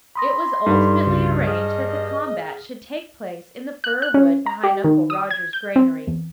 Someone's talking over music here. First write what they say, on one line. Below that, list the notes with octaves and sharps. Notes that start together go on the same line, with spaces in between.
It was ultimately arranged that the combat should take place in the fir wood behind Uncle Roger's granary.
B5 C6 D#6 A#6
G2 D#4 A4 B5
C2 C#3 F#4
G#4 D#5 D#6 F6
F#6
F#6
C#4
A#5
G4
D#3
D#6
G#6
G6
C4
E2